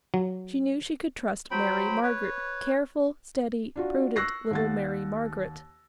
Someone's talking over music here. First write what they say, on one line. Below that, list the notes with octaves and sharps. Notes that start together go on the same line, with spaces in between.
She knew she could trust Mary Margaret--careful, steady, prudent little Mary Margaret.
F#3
F#3 C5 G5 B5
B4 C#5
D4 F4 F#4
C#6 E6 F#6 A#6 C7
D#2 F#5 A6